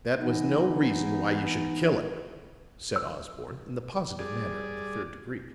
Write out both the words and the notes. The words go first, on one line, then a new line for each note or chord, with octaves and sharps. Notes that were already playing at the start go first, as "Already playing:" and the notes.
"That was no reason why you should kill him," said Osborne in the positive manner of the third degree.
E3 B3 D#4
E6
G3 G#4 D5